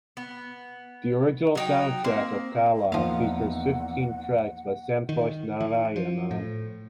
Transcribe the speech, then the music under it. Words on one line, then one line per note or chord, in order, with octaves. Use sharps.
The original soundtrack of "Kaala" features fifteen tracks by Santhosh Narayanan.
B3
F#3 D#4 G5
A#3 C4
E2 F3 A#3 D#4 F5 F#5
D#3
E3
F3
A2